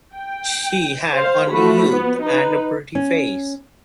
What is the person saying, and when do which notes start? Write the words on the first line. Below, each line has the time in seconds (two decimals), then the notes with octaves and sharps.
She had only youth and a pretty face.
0.13 G5
1.13 C5 F5
1.51 F3 A3 F#4 B5
1.90 B3
2.24 D#4 B4
2.95 C#4